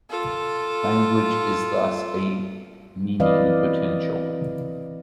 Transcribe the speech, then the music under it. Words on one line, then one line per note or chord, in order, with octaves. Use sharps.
Language is thus a "meaning potential".
F4 A4
E3 C4 B4 D5 D#5 F5